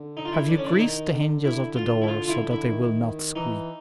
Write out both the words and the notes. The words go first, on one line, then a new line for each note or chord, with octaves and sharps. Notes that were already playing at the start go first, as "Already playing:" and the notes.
"Have you greased the hinges of the door so that they will not squeak?"
Already playing: D3
D#4
F4
E4
D4
C#4
D4
E4
D#3 D#4
D3
E4
F4
E4
F4
F4
E4
E4
D#3
E3 D#4